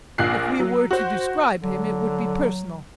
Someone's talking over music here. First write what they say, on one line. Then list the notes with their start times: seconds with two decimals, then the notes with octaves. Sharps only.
If we were to describe him it would be personal.
0.18 A#1 A#2 F#6 C7
0.60 F#3
0.91 F#4 C5
1.62 D3 F#3